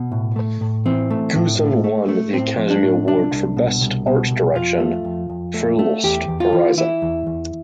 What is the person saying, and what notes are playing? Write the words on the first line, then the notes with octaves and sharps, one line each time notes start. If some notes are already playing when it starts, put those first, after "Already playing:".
Goosson won the Academy Award for Best Art Direction for "Lost Horizon".
Already playing: B2
A2
A3
A2
E3 C4
A3
A2
A2
A3
A3
A2 C4
F3
D4
A2
C2 D4
C2
B2
C2
B2
C2
F2 F4
A3
F2
F2
A3
A3
E2 G4
E2
F4
E3
E3 E4
E2
E2